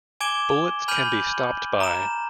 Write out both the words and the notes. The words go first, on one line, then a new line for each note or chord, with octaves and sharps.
Bullets can be stopped by...
G#5 D6 G#6 D7 E7 G7
G#5 B5 F6 G6 D#7 F#7
A#5 E7